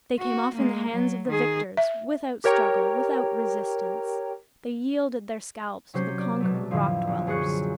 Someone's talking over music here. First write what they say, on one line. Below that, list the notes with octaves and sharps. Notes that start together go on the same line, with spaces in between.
They came off in the hands of the victors - without struggle, without resistance, they yielded their scalps to the conquering Rock-dwellers!
F#4
G#3 A#3
F#3
D#3 G#4
E5
G4 A#4 C#5 G5 A#5
C3 F#3 C#4 C5 G6
D5
B2 F#3 A3
F2 A2 D3 F3
A#1
F#2 G#4 C5 C#6 F#6